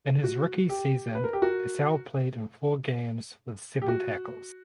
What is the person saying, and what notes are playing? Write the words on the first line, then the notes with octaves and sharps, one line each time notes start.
In his rookie season Hassell played in four games with seven tackles.
F#4
G4
B4
A#4
G4
F#4 A#4
G4
F#4